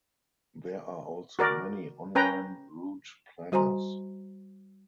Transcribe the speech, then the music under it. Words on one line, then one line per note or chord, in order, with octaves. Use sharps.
There are also many online route planners.
F#4 A#4 D5
C#4 B4 G5 A#5
G3 F#4 C5 G#5 A#5 C6